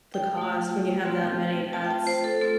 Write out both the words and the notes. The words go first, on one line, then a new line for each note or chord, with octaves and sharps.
the cost when you have that many pets.
G5
A3 F4
A3 C4 F4
A3 C4 F4 A5
G5
A5
C5
A4
A3 C4 F4 A4